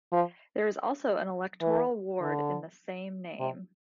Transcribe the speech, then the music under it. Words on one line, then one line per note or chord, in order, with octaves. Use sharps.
There is also an electoral ward in the same name.
F3
E3
D3
C3